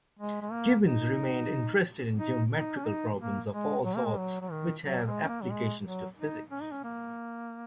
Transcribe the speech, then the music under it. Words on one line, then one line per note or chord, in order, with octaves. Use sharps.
Gibbons remains interested in geometrical problems of all sorts which have applications to physics.
G#3
G#3
A#3
D#4
D#4
D#4
C#4
D#4
A#3
G#3
F#3
A#3
G#3
F#3
F#3
D#3
F#3
G#3
C#4
A#3
F#3
G#3
F#3
D#4
C#4
D#4
C#4
A#3